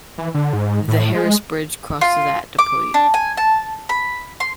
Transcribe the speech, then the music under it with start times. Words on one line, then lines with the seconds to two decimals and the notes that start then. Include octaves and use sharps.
The Harris Bridge crosses at Dapodi.
0.18 E3
0.34 D3
0.53 G#2
0.88 A2
1.15 G#3
2.01 F4
2.59 D6
2.94 D4
3.14 G#5
3.37 A5
3.89 B5
4.40 C6